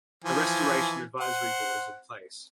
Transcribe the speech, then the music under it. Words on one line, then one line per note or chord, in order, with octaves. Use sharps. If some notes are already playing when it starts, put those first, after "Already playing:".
A Restoration Advisory Board is in place.
E3 F3 G#5
C5 F#5